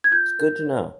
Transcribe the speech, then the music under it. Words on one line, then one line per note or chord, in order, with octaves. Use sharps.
It's good to know.
G#6
F4 G6
A#4
C#5